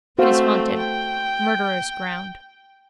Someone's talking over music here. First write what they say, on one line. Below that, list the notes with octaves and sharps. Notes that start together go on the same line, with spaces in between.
It is haunted. Murderer's ground.
A3 C4 F#4 C5 F5
G5